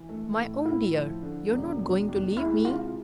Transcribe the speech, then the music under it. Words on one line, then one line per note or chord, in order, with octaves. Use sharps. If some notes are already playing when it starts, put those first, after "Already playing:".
"My own dear, you're not going to leave me!"
Already playing: E3
A3
A2
A2 E4
F3
D3
E1
E1
D#2
G#3 E4
C3 F4